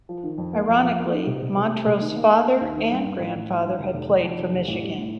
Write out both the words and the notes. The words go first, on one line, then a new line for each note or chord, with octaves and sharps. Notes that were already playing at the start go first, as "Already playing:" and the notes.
Ironically, Montross' father and grandfather had played for Michigan.
F3
D#3
F2
A#3
F2
F2
A#3
D#4
C3
C3
C3
A3
C3
D#3
A#3
A#3
A#3
D#2
D#3
G2
G2
A1
A1
A1
G2
F1
F1
F1
F2
F1
F1
A1
G3
A2